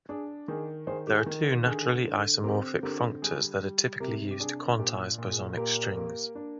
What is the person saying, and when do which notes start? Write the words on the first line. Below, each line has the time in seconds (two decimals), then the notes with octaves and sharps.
There are two naturally isomorphic functors that are typically used to quantize bosonic strings.
0.09 D4 G#4
0.48 D#3 G#4
0.87 D#3 G#4 C5
1.07 G4
1.13 G#4
1.26 D#3
1.65 D3 G#4
2.04 D3
2.44 C4 G4 A#4
2.83 D3 G4 A#4
3.22 G3 G#4
3.62 G3
4.00 C3 G4 A#4
4.31 G4
4.39 D4 G#4
4.78 A#2 G4 A#4
5.18 A#2
5.31 G#4
5.57 A#3 G4 A#4
5.96 A#3
6.35 D4